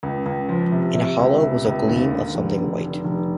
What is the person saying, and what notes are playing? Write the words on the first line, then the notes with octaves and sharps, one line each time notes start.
In a hollow was a gleam of something white.
C#2
C#2
F3
C3
C3
C#2
C3
C#2
D#2
D3
F1
D3
F1
F1